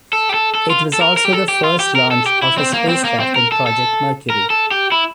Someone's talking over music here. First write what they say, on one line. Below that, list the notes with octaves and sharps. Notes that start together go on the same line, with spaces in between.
It was also the first launch of a spacecraft in Project Mercury.
A4
G4
A4
A4
F4
A4
A#4
A#4
G4
A4
G4
F4
G4
A#4
A4
G4
E4
C4
A#3
C4
A#3
C4
A#4
A4
A4
A#4
A4
G4
E4